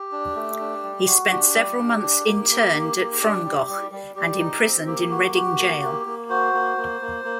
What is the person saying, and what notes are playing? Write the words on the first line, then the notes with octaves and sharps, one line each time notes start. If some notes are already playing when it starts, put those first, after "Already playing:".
He spent several months interned at Frongoch and imprisoned in Reading Jail.
Already playing: G4
D4
A3
D4
G3
F#4
D4 G4
G3
D4
D4
A#3
A#3
A#3
A#3
D4
G3
G3
G3
G3 G4
D#4
C4
A#3 G4
F#4
F#4
A#3
A#3
A#3
F#4 C5
A#3
A#3
A#3
A#3